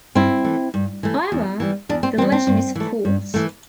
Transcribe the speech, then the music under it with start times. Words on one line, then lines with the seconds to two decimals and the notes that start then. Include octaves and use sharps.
However, the legend is false.
0.15 G2 C4 E4
0.44 E3 A3
0.74 G2
1.03 E3 A3
1.32 E2
1.60 E3 G3
1.89 E2 D4
2.03 C4
2.18 E3 C4
2.22 G3
2.32 C4
2.47 G2
2.75 E3 A3
3.05 G2
3.34 E3 A3